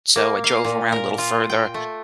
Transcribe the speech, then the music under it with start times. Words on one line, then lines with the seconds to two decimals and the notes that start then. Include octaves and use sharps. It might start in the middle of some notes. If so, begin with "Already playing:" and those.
So, I drove around a little further,
0.16 A#3
0.44 F5
0.65 A#2
0.92 A#4
1.18 F4
1.50 G5
1.74 A3